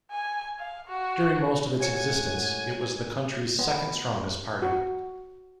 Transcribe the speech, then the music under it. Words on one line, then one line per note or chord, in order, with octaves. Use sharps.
During most of its existence, it was the country's second-strongest party.
G#5
F5
F#4
A2 G#3 G4 C#5 F#5 G#5 C#7
B3
F#4